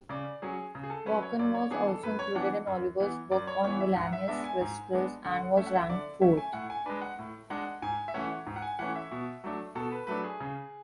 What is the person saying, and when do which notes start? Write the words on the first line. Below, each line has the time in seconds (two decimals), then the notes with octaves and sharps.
Vachon was also included in Oliver's book on villainous wrestlers and was ranked fourth.
0.09 C#3 D5
0.42 F#3 C#4 G#4
0.75 C#3
0.83 G#4
0.90 A4
1.06 F#3 C#4 B4
1.23 C#5
1.39 F#2 D5
1.54 C#5
1.71 E3 B3 D4 G#4
1.87 A4
2.03 F#2 B4
2.19 C#5
2.35 E3 B3 D4 F#5
2.67 F#2
3.00 E3 B3
3.32 F#2 D5
3.47 C#5
3.64 E3 B3 C#5
3.80 E5
3.96 G#2 F#5
4.13 E5
4.28 G#3 B3 D4 E5
4.44 G#5
4.61 G#2
4.93 G#3 B3 D4
5.25 D3 F#5
5.57 A3 C#4 E5
5.67 F#5
5.75 E5
5.90 D3 D5
6.21 A3 C#4 E5
6.37 G#5
6.53 A2 F#5
6.70 G#5
6.86 G#3 D4 B4
7.02 F#5
7.19 A2
7.50 G#3 D4 F#5
7.82 G#2 G#5
8.08 E5
8.14 E3 A3 C#4 F#5
8.47 G#2
8.56 F#5
8.62 G#5
8.79 E3 A3 C#4 F#5
8.96 E5
9.11 B2
9.44 F#3 A3 D4
9.75 B2 A4
9.92 B4
10.07 F#3 A3 D4 B4
10.24 G#4
10.40 C#3